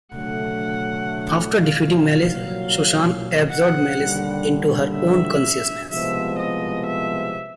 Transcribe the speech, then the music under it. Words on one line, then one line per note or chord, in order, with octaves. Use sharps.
After defeating Malice, Susan absorbed Malice into her own consciousness.
D3 F#3 A3 F#5
F5
C2 A#2 F#3 F5
F#5
D#2 D3 G3
E5
C2 C3 F3 G#3 B3 E5
D#5
E5